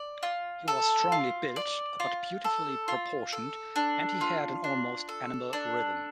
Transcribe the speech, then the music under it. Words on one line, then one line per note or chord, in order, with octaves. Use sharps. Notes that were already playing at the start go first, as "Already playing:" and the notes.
He was strongly built but beautifully proportioned and he had an almost animal rhythm.
Already playing: D5
F4
A4
F4
D5
F4
A4
F4
A4
D4
F4
D4
A4
D4